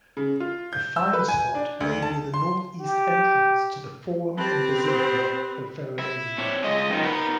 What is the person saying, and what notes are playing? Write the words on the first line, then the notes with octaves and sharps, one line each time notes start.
The find-spot lay near the north-east entrance to the forum and basilica of Verulamium.
C#3
F4
G6
E6
B4
G#5
D4
D2
A5
C6
G4
C4 G4 B4 A5
C5
E4
C4 D4 C#5
G#3 F4 D#5
F#2 D#3 D#4 F4
B3 D#4 A#4 F#5 B5